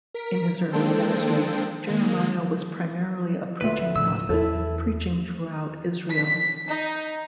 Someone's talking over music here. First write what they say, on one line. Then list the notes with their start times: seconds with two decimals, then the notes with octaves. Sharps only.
In his early ministry, Jeremiah was primarily a preaching prophet, preaching throughout Israel.
0.14 A#4 B6 D7
0.72 G#3 A#3 D4 A4 C5 G5
1.87 D#3 G#3 A#3
3.61 D2 F4 B4 E5
3.96 A2 C#3 F3 E6
4.30 E2 E3 E4 A4
6.10 B6
6.68 D#4